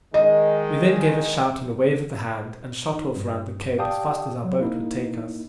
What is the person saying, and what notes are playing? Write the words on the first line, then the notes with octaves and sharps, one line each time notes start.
We then gave a shout and a wave of the hand, and shot off round the cape as fast as our boat would take us.
D#3 G#3 D#5
D#4
G2
G4 D5 F5 G5 A5 D#6
F#3
A#3 D#4 E4